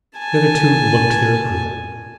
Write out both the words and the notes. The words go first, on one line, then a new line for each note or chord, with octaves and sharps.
The other two looked their approval.
G#5 A5